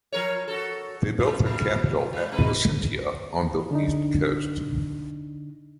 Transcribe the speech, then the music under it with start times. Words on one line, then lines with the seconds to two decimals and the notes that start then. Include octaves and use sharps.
They built their capital at Placentia on the east coast.
0.12 F3 A#4 C#5
0.48 F#4 A4
1.20 G#2
1.45 A#2 F3 G3
2.13 G#2
2.32 C3 G#3 B4
3.71 D3 D4 D#4